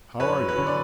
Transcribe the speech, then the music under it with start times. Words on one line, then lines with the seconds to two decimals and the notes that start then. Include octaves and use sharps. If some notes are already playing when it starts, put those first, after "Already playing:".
"How are you?"
0.20 F#2 B4 C#5
0.39 F#3
0.48 B4 C#5
0.58 D3
0.67 D5